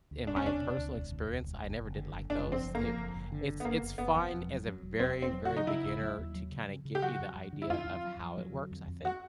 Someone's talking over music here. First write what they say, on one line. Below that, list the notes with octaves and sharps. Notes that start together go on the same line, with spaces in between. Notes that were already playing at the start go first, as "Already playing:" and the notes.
in my personal experience, I never did like those, it it's it's fine as a very, very beginner to kinda get you the idea of how it works, I think,
D2
E1 D4
C#4
C3 D4
C3
D2
E1
D2
D2
E1
F#1
F#1
D3
F#1
F#1 D4
F2
C4
F#1
A#3
F2
F#1
F#1
D3
F#1
B3
F#1 A#3
F#1
F#1 B3
F2
E1
F#3
F#3
E1
E1 C4
E1
C4
F#3
F#4
C#3
D#4
C#3 E4
E1
F#3
D#2
F#3
C#3
C#3
C#3
G4
F#3 F#4
F2
F2
D3
E4
F2 F4
F2
F#3
F2
F#3
D3
F2
F2
F#4